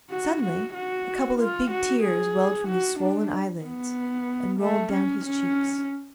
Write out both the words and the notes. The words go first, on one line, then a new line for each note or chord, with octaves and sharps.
Suddenly a couple of big tears welled from his swollen eyelids, and rolled down his cheeks.
F#4
F#4
F#4
F4
F#4
G#4
F#4
D4
B3
A3
C#4
C#4